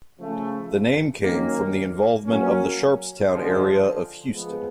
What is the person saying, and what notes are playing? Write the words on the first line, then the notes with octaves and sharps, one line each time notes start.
The name came from the involvement of the Sharpstown area of Houston.
C#3 F3 A3 C#4
D#3 F#3 A#3 C#4
F#3 A#3 C#4
D3 F3 G#3
F3 G#3 B3